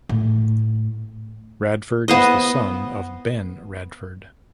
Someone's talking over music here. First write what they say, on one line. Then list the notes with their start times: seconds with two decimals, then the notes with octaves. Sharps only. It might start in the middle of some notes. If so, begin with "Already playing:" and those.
Radford is the son of Ben Radford.
0.09 A2
2.08 B3 C5 D#5